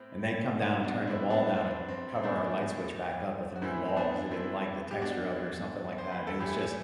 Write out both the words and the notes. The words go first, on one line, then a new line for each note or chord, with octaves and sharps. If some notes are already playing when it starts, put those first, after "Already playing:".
and they'd come down and turn the wall down and cover our light switch back up with a new wall 'cause they didn't like the texture of it or something like that, and it was just
Already playing: A2 C4
B2 D4 F#4
C4 E4
B3 D4
B3
C4
C4
C4
A2 E3 B3 D4
F#4
A2 E3 C4 E4
C4
B3 D4
C4 E4
G4
B2 D4 F#4
C5
B4
A4
A2 E3 E4 G4